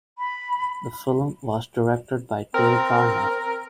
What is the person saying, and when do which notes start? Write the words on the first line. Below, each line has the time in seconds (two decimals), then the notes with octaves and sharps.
The film was directed by Tay Garnett.
0.18 B5
2.54 C4 A#4